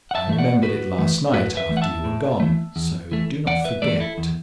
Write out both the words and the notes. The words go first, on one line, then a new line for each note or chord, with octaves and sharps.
I remembered it last night after you were gone, so do not forget.
F#5
E5 A5
E3 A3 E5
D5 F#5
A2 F#4 B4
E3 A3
A2 F#4 B4
B4 E5
E3 A3
F#5
E5 A5
A2
E3 A3
E2
E3 A3
E2 D5 F#5
B4 E5
E3 A3 A4 D5
E4 A4
E2